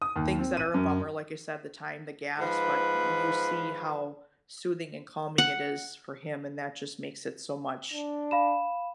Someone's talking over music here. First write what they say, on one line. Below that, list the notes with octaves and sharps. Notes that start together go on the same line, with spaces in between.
things that are a bummer, like I said, the time, the gas, but w you see how soothing and calming it is for him, and that just makes it so much,
D#6
D#2
C4
D#7
F#2
G#2 F3 B4
F#5
D4
F5 B5 E7